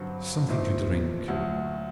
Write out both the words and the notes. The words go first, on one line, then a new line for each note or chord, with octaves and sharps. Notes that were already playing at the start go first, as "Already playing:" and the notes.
"Something to drink."
Already playing: G2 D3 F#3 C4 F#4
A#2 A3 C4 D#4
D2 D3 F#3